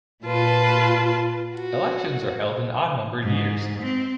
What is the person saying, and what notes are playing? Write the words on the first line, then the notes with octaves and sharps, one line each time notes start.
Elections are held in odd-numbered years.
A#2 F4 B4 A5
F#4
G#2
C4